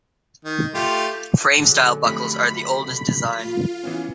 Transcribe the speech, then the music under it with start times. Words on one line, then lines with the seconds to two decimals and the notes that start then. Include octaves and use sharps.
Frame-style buckles are the oldest design.
0.45 D#3
0.74 A3 F4 G4
1.59 D3 F#3 G#3
2.04 F2 A3 G4 B5 B6
3.39 F4
3.83 E3 B3 C#4